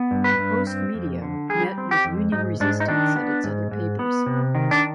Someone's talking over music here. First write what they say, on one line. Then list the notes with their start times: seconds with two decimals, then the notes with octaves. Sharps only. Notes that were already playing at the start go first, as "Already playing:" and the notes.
Postmedia met with union-resistance at its other papers.
Already playing: B3
0.11 G2
0.24 B4
0.38 G2
0.67 C4
0.94 F2
1.22 D3
1.49 G3 G#4
1.78 C4
1.91 G4
2.05 F2
2.32 G#2 D#4
2.60 G#2 D4
2.80 D#4
2.88 D#3 D4
3.16 B3
3.44 G#2
3.71 G#2
3.99 B3
4.26 C3
4.55 D#3
4.71 D4